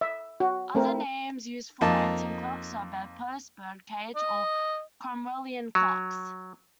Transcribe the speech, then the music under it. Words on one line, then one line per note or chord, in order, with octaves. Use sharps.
Other names used for lantern clocks are "bedpost", "birdcage" or "Cromwellian" clocks.
E5
F#4
A3 C4 A#4
F2 A#3 D#4 A5
D#5
F#3